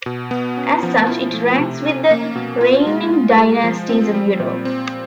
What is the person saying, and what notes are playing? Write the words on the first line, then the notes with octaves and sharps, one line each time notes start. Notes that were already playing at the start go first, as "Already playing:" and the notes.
As such it ranks with the reigning dynasties of Europe.
B2
B3
C#4
F3
E4
A3
C3
C#4
A#3
B2
F4
G#3
F4
G#3
F3
C4
G3
A#2
C4